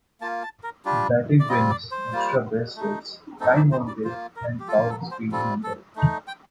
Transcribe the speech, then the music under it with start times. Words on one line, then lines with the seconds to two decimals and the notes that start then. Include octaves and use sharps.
Batting Wins, Extra Base Hits, Times On Base, and Power-Speed number.
0.21 A#3 F4 A5
0.43 A5
0.63 A#4
0.85 G3 D4 F4 G4
1.39 D5
1.48 G3 C4 F4 D#5
1.70 D5
1.91 C5
2.13 G3 A#3 F4
2.76 A3 D#4
3.40 A3 C4 D#4 A4
3.56 D5
3.72 C5
3.88 D5
4.04 A#3 F4 C5
4.36 A#4
4.60 G4
4.68 F4 A4
4.72 A#3
4.90 A4
5.11 C5
5.32 G3 C4 F4 A4
5.63 A4
5.96 A3 D#4
6.27 G5